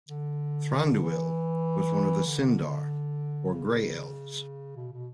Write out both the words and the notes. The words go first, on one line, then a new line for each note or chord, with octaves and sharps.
Thranduil was one of the Sindar, or Grey Elves.
D3
E3
D3
C#3
B2
B2